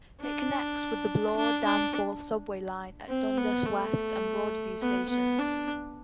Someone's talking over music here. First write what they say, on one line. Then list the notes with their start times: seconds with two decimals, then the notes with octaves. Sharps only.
It connects with the Bloor-Danforth subway line at Dundas West and Broadview stations.
0.21 D4
1.36 D4
1.64 D4
3.08 C4
3.37 B3
3.66 A3
4.81 B3
5.09 B3
5.38 D4